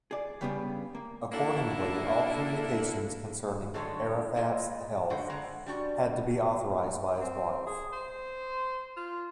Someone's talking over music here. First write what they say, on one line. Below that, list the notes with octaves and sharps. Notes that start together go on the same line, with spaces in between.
Accordingly, all communications concerning Arafat's health had to be authorized by his wife.
G#4 D5
C#3 G3 B3 D4 G#4
A#3
A#3 D4 E4 F#4 A4
A2 D3 F#3 G#3 A4 C#5
A#2 G#3 E4 D#5
D3 F#4 B4 C5 F#5
D3 G#3 F#5 A#5
G3 D4 F#4
C4
G#4
C5
F4